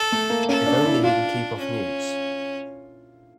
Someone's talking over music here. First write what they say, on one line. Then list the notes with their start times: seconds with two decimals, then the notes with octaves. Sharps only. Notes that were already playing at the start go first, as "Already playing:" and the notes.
If only he can keep off newts.
Already playing: A4
0.12 A3
0.30 A#3
0.49 C#4 A4
0.66 D4
0.85 E4
1.04 D4 F4
1.59 C#4